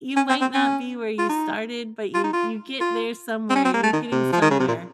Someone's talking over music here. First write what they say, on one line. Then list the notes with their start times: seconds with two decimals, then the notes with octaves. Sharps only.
You might not be where you started, but you you get there somewhere. You're getting somewhere.
0.16 C#4
0.29 C4
0.41 C4
0.54 C#4
1.18 F4
1.29 D#4
2.14 F4
2.24 D#4
2.33 F4
2.80 F4
3.50 C4
3.55 C#4
3.65 C4
3.74 A#3
3.83 A3
3.93 D#3
4.12 C3
4.32 F3
4.41 D#3
4.50 C#3
4.59 C3
4.68 A#2